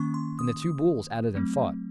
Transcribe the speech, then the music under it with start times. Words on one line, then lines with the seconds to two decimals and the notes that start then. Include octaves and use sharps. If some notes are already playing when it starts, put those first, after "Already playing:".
And the two bulls at it and fought.
Already playing: D#3 A#3 C#4 C#6
0.14 C6
0.39 D#6
0.62 D#6
1.35 F#3 A3 C4